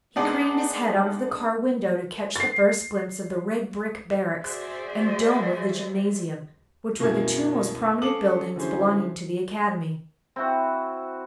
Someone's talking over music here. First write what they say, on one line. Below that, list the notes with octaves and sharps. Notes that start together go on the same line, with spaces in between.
He craned his head out of the car window to catch the first glimpse of the red brick barracks and dome of the gymnasium, which were the two most prominent buildings belonging to the Academy.
G#3 B3 D4 D#4
A6 C7
F#4 G#4 C5 D5 E5
F#2 B2 A#3 E4 G#4 G#6
C#4 A4 F5 D6 D#6 F#7
D3 E3 F#3 C#4 G#4 C5
C4 E4 F#4